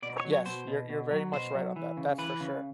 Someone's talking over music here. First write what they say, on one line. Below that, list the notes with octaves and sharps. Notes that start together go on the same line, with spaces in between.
Yes, you're you're very much right on that, that's for sure,
B2 D5
C#5
F#3
C#5
B2 C5
B2
B2
F#3
B2 C5
F#3
E3
C#3
E3 B4
C#3